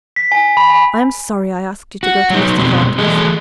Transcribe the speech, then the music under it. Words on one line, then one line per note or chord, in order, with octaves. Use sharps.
'I am sorry I asked you to go to Mr. Thornton's.
B6
G#5
B5
G#5
F#4
F#3 D#4
F2 B2 G#3 C4 G4
E3 A3 G#4 D#5